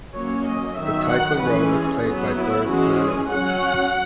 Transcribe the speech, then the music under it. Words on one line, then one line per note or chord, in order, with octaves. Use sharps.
The title role was played by Boris Smirnov.
F#3 A#3 C#4 C#5
D#5
D#3 F#3 B3 E5
F#5
E3 G#3 C#4 B4
G#4
F#3 B3
E4
E3 G#3 C#4 F#4
G#4
F#3 C#4 F#5